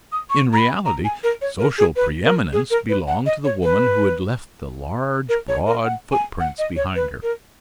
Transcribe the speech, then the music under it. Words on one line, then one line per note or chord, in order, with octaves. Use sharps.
In reality, social preeminence belonged to the woman who had left the large, broad footprints behind her.
D#6
C#6
A#5
B5
A#5
G#5
A#4
C#5
A#4
G#4
B4
A#4
G#4
A#4
B4
F#5
D#5
C#5
B4
A#4
C#5
A#4
F#5
G#5
F#5
D#5
C#5
B4
A#4